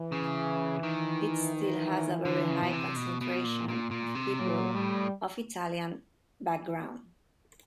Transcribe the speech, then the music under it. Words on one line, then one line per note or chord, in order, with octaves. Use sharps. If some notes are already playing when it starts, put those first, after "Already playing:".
It still has a very high concentration of people of Italian background.
Already playing: E3
C#3
D#3
E3
D3
C#3
B2
C3
B2
B2
A#2
A#2
A#2
C3
A#2 F#3
A2 G3